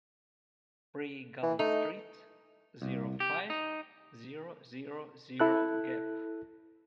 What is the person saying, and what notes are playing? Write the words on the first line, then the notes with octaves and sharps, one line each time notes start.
Pré Galland Street, zero five, zero zero zero Gap.
E3
A3 D#4
C2
G4
D#4
E4 A4 F#6